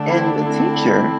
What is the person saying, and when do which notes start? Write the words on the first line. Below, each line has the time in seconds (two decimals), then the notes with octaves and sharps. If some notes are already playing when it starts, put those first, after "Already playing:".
and the teacher
Already playing: D3 A3 D4 A4
0.09 C4 E4
0.46 C4 E4